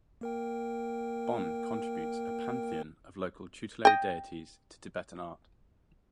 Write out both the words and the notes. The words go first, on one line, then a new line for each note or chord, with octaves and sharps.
Bon contributes a pantheon of local tutelary deities to Tibetan art.
A#3 A#4 G5
D#5 G5